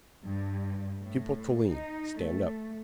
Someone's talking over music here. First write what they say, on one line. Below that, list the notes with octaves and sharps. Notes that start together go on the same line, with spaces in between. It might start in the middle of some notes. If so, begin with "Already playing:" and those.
"Pupil Toline, stand up."
G2
A2
D#4
A3